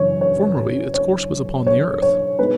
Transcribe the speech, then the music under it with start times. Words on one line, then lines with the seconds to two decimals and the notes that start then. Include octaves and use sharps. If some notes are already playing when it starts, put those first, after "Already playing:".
Formerly its course was upon the earth.
Already playing: F#2 C#3 E3 C#5
0.21 C#5
0.94 C#5
1.67 C#5
2.02 C#5
2.39 B2 G#3 D#4 B4